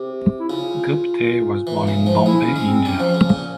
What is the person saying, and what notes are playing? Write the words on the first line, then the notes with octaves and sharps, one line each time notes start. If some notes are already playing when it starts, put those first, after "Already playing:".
Gupte was born in Bombay, India.
Already playing: C3 G4
E4
C#3 F4
E3
C#3
F3
G#3 E4
C#4
G#3
C4
G3 C#4
F3
C#3
A#2